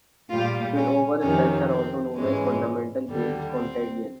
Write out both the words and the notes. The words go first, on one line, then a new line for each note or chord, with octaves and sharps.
Spillover effects are also known as fundamental-based contagion.
A#2 G3 F4
C#4
F2 C3 D#3 C#4
C4
G#2 E3 G#3 C#4
D#2 D3 G3
C4